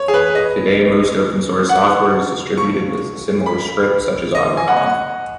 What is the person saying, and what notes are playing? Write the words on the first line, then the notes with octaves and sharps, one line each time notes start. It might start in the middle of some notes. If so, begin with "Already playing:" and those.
Today, most open source software is distributed with a similar script, such as autoconf.
Already playing: C#5
G#4
B4
D#5
F#5
C#6
B5
D#5
G#5
F#5
D#5
F#5